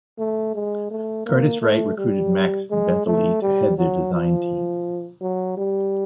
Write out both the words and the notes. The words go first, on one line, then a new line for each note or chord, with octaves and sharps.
Curtiss-Wright recruited Max Bentele to head their design team.
A3
G#3
A3
A#3
A3
G3
G#3
A3
G3
F#3
F3
F#3
G3